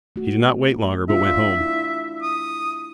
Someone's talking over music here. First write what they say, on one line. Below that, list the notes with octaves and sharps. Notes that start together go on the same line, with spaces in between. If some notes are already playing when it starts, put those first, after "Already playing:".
He did not wait longer but went home.
A3 F#4
D4 F4 E5
E4
D#6